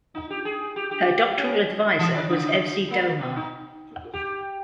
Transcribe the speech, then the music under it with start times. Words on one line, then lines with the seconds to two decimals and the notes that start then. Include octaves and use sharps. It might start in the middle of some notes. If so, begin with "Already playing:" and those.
Her doctoral advisor was Evsey Domar.
0.15 D#4
0.30 G4
0.45 G#4
0.76 G4
0.91 G4
1.38 C#4
1.99 E3
2.14 D#3
2.30 C#3
2.90 A#3
3.21 B3
3.36 D#4
4.13 G4